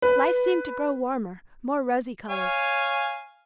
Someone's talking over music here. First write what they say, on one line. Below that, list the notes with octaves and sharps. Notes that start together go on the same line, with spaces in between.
Life seemed to grow warmer, more rosy colored.
B4
C#5 F5 G#5